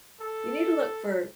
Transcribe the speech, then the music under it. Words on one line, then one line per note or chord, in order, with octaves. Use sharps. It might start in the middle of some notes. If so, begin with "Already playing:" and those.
you need to look for
A4